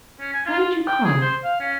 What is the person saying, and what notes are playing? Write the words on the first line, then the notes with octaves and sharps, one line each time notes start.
How did you come?
C#4
G#5
F4
G5
G#4
C5
F5
C#4